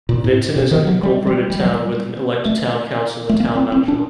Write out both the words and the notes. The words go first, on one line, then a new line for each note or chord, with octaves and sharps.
Vinton is an incorporated town with an elected town council and town manager.
A#2
A2
C3
D#3
F#3
G3
G3
G3
F#3
G3
A3
A3
A#3
C4
C4
D4